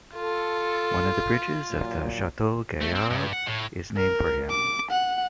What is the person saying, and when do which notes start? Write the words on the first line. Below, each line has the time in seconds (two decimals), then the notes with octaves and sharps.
One of the bridges of the Chateau-Gaillard is named for him.
0.15 F4 A4
1.71 A#2 F#3
2.82 A3
2.96 C4
3.11 G2
3.33 F#5
3.46 A2
3.97 A#4
4.50 D6
4.91 F#5